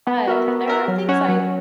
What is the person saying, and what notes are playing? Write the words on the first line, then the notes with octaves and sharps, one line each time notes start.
but there are things I
B3
F#4 A#4 E5
B3
F#4 A#4 E5
F#3
C#4 F#4 C#5
F#3